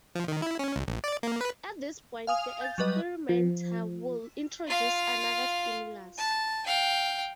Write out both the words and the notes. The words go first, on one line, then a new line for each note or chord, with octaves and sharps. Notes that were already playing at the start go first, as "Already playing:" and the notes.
At this point, the experimenter will introduce another stimulus.
F3
D#3
E4
C#4
C#2
A#1
D5
A#3
B4
F5 G#5 D#6 F7
G6 A6
F#3 G3 B4 D#5
F3
F4 F5
A5
F5 G5